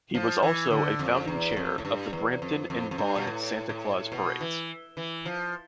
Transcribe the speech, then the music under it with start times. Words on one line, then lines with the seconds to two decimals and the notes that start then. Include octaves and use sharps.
He was also a founding chair of the Brampton and Vaughan Santa Claus Parades.
0.14 F3
0.43 E3
0.71 D3
0.99 F2
1.28 E2
1.57 F2
1.78 A2
1.85 G2
2.13 E2
2.42 F2
2.70 F2
2.91 F2
2.98 G2
3.16 B2
3.27 A2
3.69 A2
4.12 B2
4.41 E3
4.97 E3
5.25 F3